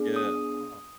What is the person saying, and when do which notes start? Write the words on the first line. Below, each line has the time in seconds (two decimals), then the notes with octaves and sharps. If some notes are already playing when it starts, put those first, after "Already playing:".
Yeah, wow.
Already playing: B3 D4 G#4
0.16 D#6